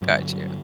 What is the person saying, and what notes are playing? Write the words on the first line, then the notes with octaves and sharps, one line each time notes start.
Got you.
G2 F#3
D3 G3
F#3
F#3